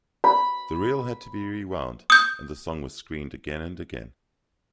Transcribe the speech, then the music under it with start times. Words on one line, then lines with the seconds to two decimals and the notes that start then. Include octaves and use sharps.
The reel had to be rewound and the song was screened again and again.
0.24 B5
2.10 D#6 G6